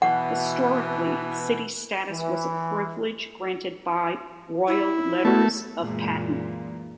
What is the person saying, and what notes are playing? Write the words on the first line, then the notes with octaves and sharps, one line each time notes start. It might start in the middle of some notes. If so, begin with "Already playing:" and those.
Historically, city status was a privilege granted by royal letters of patent.
B2 E3 F#5
E3
E4
A3 B3 F#4
F#2 A#2 E3 G#3